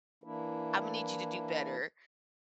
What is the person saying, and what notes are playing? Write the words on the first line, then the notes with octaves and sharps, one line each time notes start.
Imma need you to do better.
E3 A#3 D4 E4